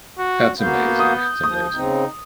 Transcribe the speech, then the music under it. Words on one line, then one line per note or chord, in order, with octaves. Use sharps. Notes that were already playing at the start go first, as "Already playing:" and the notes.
That's amazing, that's amazing.
F#4
A#3 B3 F#4 F5 G6
D#6
F3 D#6
C#3 C4 D#4